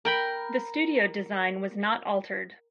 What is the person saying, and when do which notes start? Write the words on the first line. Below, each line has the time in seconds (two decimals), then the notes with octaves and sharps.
The studio design was not altered.
0.05 A#4 G5 B5